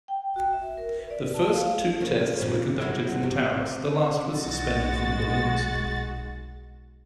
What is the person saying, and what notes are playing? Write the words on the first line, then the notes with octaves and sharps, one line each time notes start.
The first two tests were conducted from towers, the last was suspended from balloons.
G5
F#4
E5
A#4
B4
D5
A5
F5
C#3 F3 A#3
A#2 C#3
F#3 G#3 E4
C3
B1 G#3 F#4 A6